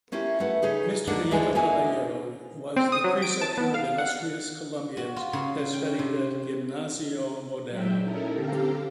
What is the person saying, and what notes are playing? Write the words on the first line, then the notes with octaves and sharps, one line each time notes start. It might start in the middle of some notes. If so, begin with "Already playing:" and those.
Mr. Nieto Caballero was the preceptor of illustrious Colombians that studied at Gimnasio Moderno.
A#3 C#4 E4 F4 G4
A3 B4 F#5
C#3 D#4 G#4 B4
D#2 D3 A#3 D4 A#4 F#5
D2 E3 G#3 D4 F4 G#5
A#3 D#4 E4 F#4 F#5 G#5
C4
D#6
F#3
D7
A5
B3
F5
F#5
F#4
F4
C#3
G5
C3
A#2 F#3 G#3 E5 G5
C#4 D#4 E4 A4 A#4
D3 C4 G4 A4 F5 A#5